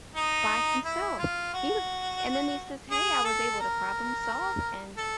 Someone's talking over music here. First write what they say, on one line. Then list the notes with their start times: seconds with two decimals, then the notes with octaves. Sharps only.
by himself. He was and then he says, "Hey, I was able to problem solve," and
0.15 D#4
0.85 E4
1.19 F4
1.54 F#4
2.91 G#4
3.25 A4
3.60 A#4
4.97 A4